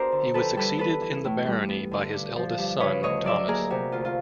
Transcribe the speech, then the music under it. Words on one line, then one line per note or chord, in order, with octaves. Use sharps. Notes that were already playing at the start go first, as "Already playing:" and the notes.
He was succeeded in the barony by his eldest son, Thomas.
Already playing: B3 D4 F#4 G#4 A#4 C5
D3
F2 A4 B4
G3 A4 B4
B3 A4 B4
E3
A2
G3
B3
D3
G2
F3
G2
C#3 B4 C#5
D2 C#5 D#5
F#3 D5 E5
A#3 G#4 A#4
C3 F#4
D2 F4
F4